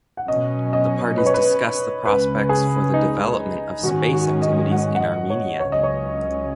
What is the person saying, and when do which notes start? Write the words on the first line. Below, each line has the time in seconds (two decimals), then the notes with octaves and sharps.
The parties discussed the prospects for the development of space activities in Armenia.
0.17 F#5
0.28 B2 F#3 C#4 D#5
0.73 D#5
1.18 B4
1.26 C#5
1.34 B4
2.05 C#2 C#3 G#3 C#4 B4
2.49 G#4
2.94 D#4
3.82 G#2 D#3 G#3 C#4 F#4
4.13 F#4
4.42 D#5
4.72 F#5
4.95 F#5
5.01 D#5
5.30 C#5
5.60 C#2 C#3 F#3 C#4 C#5
5.72 D#5
5.83 C#5